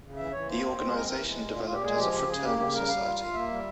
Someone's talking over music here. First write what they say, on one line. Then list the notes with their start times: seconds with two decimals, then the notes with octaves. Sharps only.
The organization developed as a fraternal society.
0.02 C#3
0.16 E3 E5
0.32 E3 C#5
0.47 A#3 C5
0.62 C4
0.77 G#3
0.92 C4 A#4
1.07 E3 A#4
1.23 G#3
1.38 A#2
1.52 F4
1.64 A#2 F4
1.73 G4
1.82 G#3 G#4
1.97 F3 G4
2.12 C#3 G4
2.28 C#3 G#4
2.43 A#3 G4
2.58 C#3 G4
2.73 G3 A#4
2.88 G3 F5
3.04 F4
3.19 F4
3.34 A#3 E5
3.48 G3